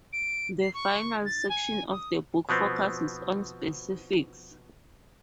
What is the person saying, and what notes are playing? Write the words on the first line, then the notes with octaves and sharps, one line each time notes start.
The final section of the book focuses on specifics.
D7
C7
C#6
A6
G#5
D#6
B2 F3 B3 C4